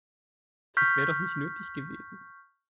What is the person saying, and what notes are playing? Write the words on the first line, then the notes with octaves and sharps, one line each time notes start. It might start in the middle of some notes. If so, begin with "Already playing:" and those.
Das wäre doch nicht nötig gewesen.
C#6 F6 G6 B6